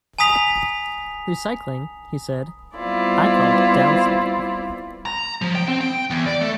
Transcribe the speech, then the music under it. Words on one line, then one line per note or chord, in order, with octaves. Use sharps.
"Recycling, he said, "I call it downcycling.
G#5 A#5 D#6 B6 F7
G3 B3 C4 E4 F4 D5
A#5
F3
G5
C4
G5
E2
D5
A3